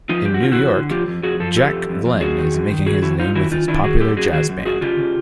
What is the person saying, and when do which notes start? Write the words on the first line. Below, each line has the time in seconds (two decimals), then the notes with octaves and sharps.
In New York, Jack Glenn is making his name with his popular jazz band.
0.09 F3 D#4 F4
0.25 F2 G4
0.34 F#4
0.42 D3 F4
0.52 E4 F#4
0.58 F2
0.75 D3
0.91 F3 F4 G4
1.07 F2
1.23 F2 F#4 G#4
1.40 F3 A4
1.56 F2 G4 A4
1.72 F2
1.89 F2
2.05 F2
2.21 F#2 F#4 G#4
2.38 D#3
2.54 F#2
2.70 D#3
2.86 D#3 F#4 G#4
3.02 D#3 E4 F#4
3.19 F#2 D#4 F4
3.35 D#3 E4 F#4
3.51 D#3 D#4 F4
3.68 D#3 D4 E4
3.84 D#3 F#4 G#4
4.00 F#2 G4 A4
4.16 F#2 F#4 G#4
4.33 D#3 F#4 G#4
4.49 F#2
4.65 F#2 F#4 G#4
4.81 C#3 F4 G4
4.98 C#3